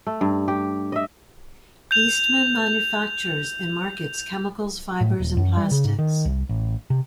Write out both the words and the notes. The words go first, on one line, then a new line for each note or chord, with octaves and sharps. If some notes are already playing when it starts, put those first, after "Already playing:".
Eastman manufactures and markets chemicals, fibers and plastics.
A3
G2
G4
D#5 E5
G6 F7
A2
D#1
F#2
G3
C#3
G#2
D#3
C2
A1
C3